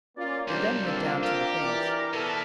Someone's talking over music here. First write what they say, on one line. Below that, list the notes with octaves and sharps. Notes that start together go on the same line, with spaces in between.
They then went down to the Thames.
A#3 C#4 F4 D5
C2 F#3 G3 D4 C5
A#3 C4 D4 F4 A4
G4 A#4
E3 D5
B2 B3 A4